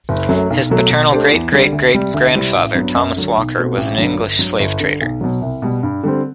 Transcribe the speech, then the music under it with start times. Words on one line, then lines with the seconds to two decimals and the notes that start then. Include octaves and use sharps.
His paternal great-great-great-grandfather, Thomas Walker, was an English slavetrader.
0.09 F#1
0.29 F#2 F#3 A3
0.50 B1
0.70 B2 F#3 A3
0.90 B2
1.11 A3 D4 G4 C5
1.32 E2
1.52 D3 G3
1.72 D2
1.93 C3 G3
2.14 D2
2.34 C3 G3 C4 E4
2.55 A1
2.75 G2 F#3 B3
2.95 F#2
3.16 D3 F#3
3.37 B1
3.57 B2 A3 C4 F#4
3.77 A1
3.98 G2 D3 F#3
4.19 G1
4.39 G2 F#3
4.59 G1
4.80 G2 D3
5.01 B1
5.21 B2 F#3
5.42 C2
5.62 B2 G3
5.83 G2
6.03 D3 G3 C4